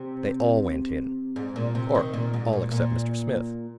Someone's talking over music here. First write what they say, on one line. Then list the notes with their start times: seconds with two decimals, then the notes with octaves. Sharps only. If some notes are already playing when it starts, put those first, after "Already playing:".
They all went in--or all except Mr. Smith.
Already playing: C3
1.36 G#2
1.56 A#2
1.75 C3
1.95 D#3
2.13 A#2
2.34 G#2
2.53 A#2
2.72 A#2